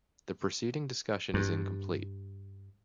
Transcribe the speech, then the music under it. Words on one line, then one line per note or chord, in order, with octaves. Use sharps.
The preceding discussion is incomplete.
G2